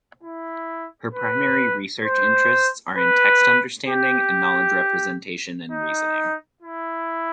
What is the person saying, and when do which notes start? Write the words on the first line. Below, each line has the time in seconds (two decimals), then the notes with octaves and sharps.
Her primary research interests are in text understanding and knowledge representation and reasoning.
0.23 E4
1.14 B4
2.05 C5
2.97 B4
3.89 G4
5.71 D#4
6.62 E4